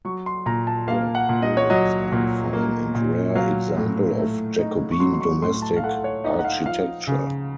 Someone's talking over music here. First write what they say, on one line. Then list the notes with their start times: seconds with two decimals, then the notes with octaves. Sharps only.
The buildings are a fine and rare example of Jacobean domestic architecture.
0.05 F#3 C#6
0.26 C6
0.46 A#2 A#5
0.67 A5
0.88 A#3 F5
1.15 F#5
1.29 A#2
1.42 D#5
1.57 C#5
1.70 F#3 D#5
2.12 A#2
2.53 A#3
2.95 A#2
3.35 F#3 F5
3.77 A2
4.18 A3
4.59 D#4
4.91 C#6
5.00 F#3 C6
5.13 C6
5.21 C#6
5.42 A2 C6
5.62 A5
5.76 F5
5.83 A3 F#5
6.04 C#5
6.24 D#4 D#5
6.39 F#5
6.45 F5
6.66 F3 F5
7.07 C#3